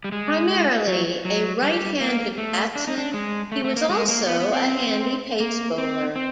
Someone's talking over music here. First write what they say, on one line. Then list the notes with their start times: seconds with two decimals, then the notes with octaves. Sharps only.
Primarily a right-handed batsman, he was also a handy pace bowler.
0.04 G3
0.12 G#3
0.87 F#3
1.25 F#3
1.63 G3
2.01 A#3
2.38 A3
2.75 D4
2.87 D#4
2.98 D4
3.14 G#3
3.52 A3
3.64 A3
3.77 A#3
3.90 G#3
4.08 A#3
4.27 B3
4.40 B3
4.52 C4
5.40 A#3
5.78 C4
6.16 C4